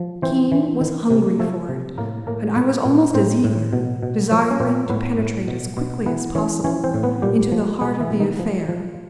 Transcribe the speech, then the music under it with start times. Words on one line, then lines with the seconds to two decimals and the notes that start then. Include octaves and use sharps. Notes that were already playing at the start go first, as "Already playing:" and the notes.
Keene was hungry for it, and I was almost as eager, desiring to penetrate as quickly as possible into the heart of the affair.
Already playing: F3
0.22 E3 C4 C5
0.52 E3
0.81 D#3
1.10 C3
1.39 F3 A3 A4
1.69 C3
1.98 A2 A#3 A#4
2.27 A2 A#3 A#4
2.56 A#2 B3 B4
2.85 A#2
3.14 A2 C4 C5
3.44 A2
3.73 B2
4.03 B2
4.31 F3 C#5
4.51 C#4 C#5
4.60 A#2 C4 C5
4.90 A2 B3 B4
5.18 A2
5.48 B2
5.77 B2
6.06 E3 B3 B4
6.35 E3 C#4 C#5
6.64 E3 C#4 C#5
6.84 C4 C5
6.94 A2
7.03 B3 B4
7.22 A#2 G3 G4
7.52 F3
7.81 B2 G#3 G#4
8.00 E3 E4
8.10 B2
8.20 D#3 D#4
8.39 F3
8.69 F3